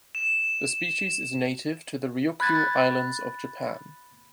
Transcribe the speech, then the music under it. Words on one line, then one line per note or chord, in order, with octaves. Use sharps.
The species is native to the Ryukyu Islands of Japan.
E7
B5 F#6 G#6 A6